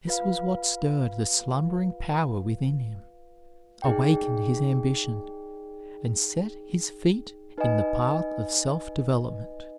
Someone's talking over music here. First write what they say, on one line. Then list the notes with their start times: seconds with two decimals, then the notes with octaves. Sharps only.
This was what stirred the slumbering power within him, awakened his ambition, and set his feet in the path of self-development.
0.07 F4 B4 F5
3.82 D#4 G#4 D5 G5
7.58 D#4 B4 D#5 G#5